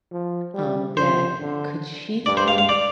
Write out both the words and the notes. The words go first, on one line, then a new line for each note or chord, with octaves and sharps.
um, that could she tell h
F3
G3
F3 C5
D3
G2 D5
C5
F5
F5
D5